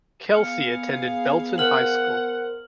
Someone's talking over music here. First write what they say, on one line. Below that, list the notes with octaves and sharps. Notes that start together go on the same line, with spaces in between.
Kelsey attended Belton High School.
B3 G#4 F5 F6 C#7
A#4 C5 F#5 F6 F#7